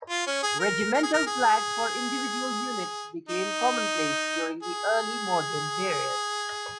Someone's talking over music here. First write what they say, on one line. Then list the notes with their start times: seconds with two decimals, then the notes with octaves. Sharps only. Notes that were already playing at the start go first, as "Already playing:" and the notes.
Regimental flags for individual units became commonplace during the Early Modern period.
0.09 F4
0.27 C#4
0.43 G#4
0.60 A#4
0.94 A#4
1.03 G#4
1.13 A#4
1.27 G#4
3.29 D#4
4.63 G#4